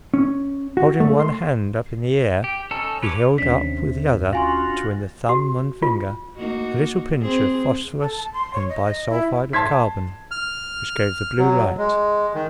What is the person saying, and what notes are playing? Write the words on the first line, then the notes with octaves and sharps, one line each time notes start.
Holding one hand up in the air, he held up with the other, between the thumb and finger, a little pinch of phosphorus and bi-sulphide of carbon, which gave the blue light.
C#4
F#4
A3
C6
G4
C#4 D#4 A4
B4 C#5 D#5 D6
D#2 C3 C#4 D4 B6
F4 F#4 F5 G#5 C6
F#4
F4
A#3 D#4 F#4
C4 G#4
A4
A5
C6
C#5
D#5
D#5
E4
A5 C6 G#6 B6
F6
F#3
G#3
D#3